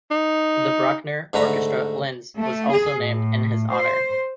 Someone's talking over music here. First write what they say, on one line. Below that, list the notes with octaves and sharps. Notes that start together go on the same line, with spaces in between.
The Bruckner Orchestra Linz was also named in his honor.
D#4
G#2 D3 A3 B4 A#5
A3
G#4
A2
C5